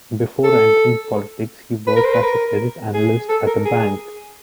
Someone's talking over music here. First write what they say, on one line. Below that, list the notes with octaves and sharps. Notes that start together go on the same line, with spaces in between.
Before entering politics, he worked as a credit analyst at a bank.
A4
B4
A#4
C5
B4
A#4
G#4
A4
A#4
G#4